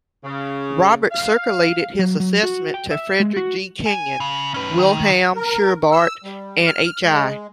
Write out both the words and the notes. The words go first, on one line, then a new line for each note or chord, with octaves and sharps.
Roberts circulated his assessment to Frederic G. Kenyon, Wilhelm Schubart and H. I.
C#3
F5
F#3
F#3
F#4
G5
E5
G#3
F#4
G#5
C#3
C#4 B4
D#3
A#4
E6
G3
F6
G#3